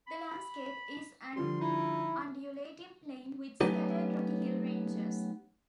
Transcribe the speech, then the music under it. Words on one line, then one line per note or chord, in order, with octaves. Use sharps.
The landscape is an undulating plain with scattered rocky hill ranges.
B5
D3 F3 G3 C6
D#4 E4
F#3 A3 B3 C#4 D#4 G4